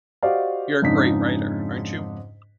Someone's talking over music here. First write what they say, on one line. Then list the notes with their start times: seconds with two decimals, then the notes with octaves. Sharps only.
You're a great writer, aren't you?
0.23 F#4 G4 C5 D5 D#5 F5
0.82 F2 G#2 C#3 D4 D#4 B6